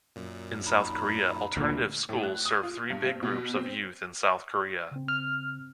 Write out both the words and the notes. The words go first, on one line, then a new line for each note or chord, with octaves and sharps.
In South Korea, alternative schools serve three big groups of youth in South Korea.
F#2 A#2
D#4 A#5 B5
D2 A#2
A2
F#6
D#6
F4
G2
C4
B2
C4
C#3 C4
F6